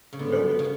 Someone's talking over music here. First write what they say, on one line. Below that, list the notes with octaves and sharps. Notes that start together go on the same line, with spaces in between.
you know, with,
C#3
D3 B3
C#3